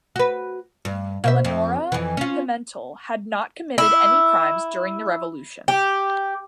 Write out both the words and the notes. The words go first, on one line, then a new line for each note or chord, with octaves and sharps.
Eleonora Pimentel had not committed any crimes during the revolution.
F#4 B4
G2
B2 C5 E5
F2
F2 E3
C#4 F4
E4
G4